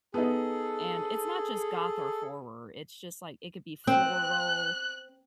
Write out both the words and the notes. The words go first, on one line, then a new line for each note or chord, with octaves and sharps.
And it's not just goth or horror, it's just, like it could be floral,
B3 D#4 G#4 A4
C4 F#6